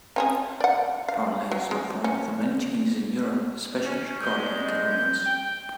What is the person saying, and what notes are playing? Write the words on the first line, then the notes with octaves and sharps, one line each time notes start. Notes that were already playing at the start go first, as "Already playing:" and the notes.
Parleys were part of the many changes in Europe, especially regarding governments.
C4 C#4 G#4
D5 F#5
F5
F#3
G#3
C#4
C#4
G2 G#3 G6
G5